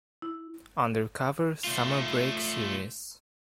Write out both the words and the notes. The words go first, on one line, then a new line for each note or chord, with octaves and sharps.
Undercover: Summer Break series.
E4
A3 F4